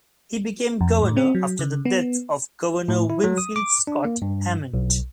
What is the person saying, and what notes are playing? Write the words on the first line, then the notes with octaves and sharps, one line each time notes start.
He became governor after the death of Governor Winfield Scott Hammond.
F2
A2
C4
F#3
C#3
B3
A2
E4
F#3
D#6
D6
D4
A#3
G2
B1